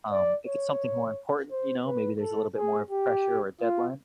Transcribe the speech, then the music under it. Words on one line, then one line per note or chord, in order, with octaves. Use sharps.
Um, If it's something more important, you know, maybe there's a little bit more of pressure or a deadline.
D5
C#5
C5
B4
A4
G#4
G4
F4